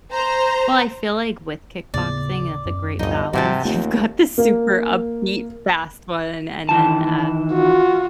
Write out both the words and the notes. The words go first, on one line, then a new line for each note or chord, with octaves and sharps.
Well, I feel like with kickboxing, that's a great balance. You've got the super upbeat fast one, and then, uh,
C5 A#5
D#2 A2 C#3 B3 D5
F#2
G1 C#2 A2 F#3 D#4 D#5
G#2 C3 D#3 E3 G3 F#4 G5 A5
D#2 A3 A#3 C4 F4
A#3
D#3 E3 A5
F4 F#4